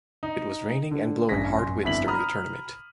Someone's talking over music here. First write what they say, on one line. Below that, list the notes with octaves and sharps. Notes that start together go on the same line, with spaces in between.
It was raining and blowing hard winds during the tournament.
D#4
D3
A1 G2 G#4 A#6 B6
F#2 C6
G1 F2 E4 B6 F#7
A#5 B5 D#6 F6